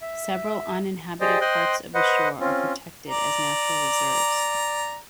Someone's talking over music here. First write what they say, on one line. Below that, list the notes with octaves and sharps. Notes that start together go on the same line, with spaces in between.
Several uninhabited parts of the shore are protected as natural reserves.
E5
G4 G#4 C5 D5 D#5 G5
C5 D#5 G5 C6 F#6
B4 C5 D#5 F#5
C4 C#4 F4
D5 A#5